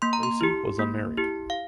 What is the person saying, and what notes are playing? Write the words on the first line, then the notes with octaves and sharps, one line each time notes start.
Lacey was unmarried.
A#3 C6
A#5
C6
E4 G4
A#3
E4 G4
F5